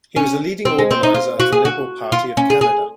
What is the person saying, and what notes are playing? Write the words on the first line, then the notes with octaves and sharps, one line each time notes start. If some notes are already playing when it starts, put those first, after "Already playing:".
He was a leading organizer of the Liberal Party of Canada.
C#4
C4
G#3
C4
D#4
F4
F#4
G#4
F#4
F4
C#4
G#4
G#4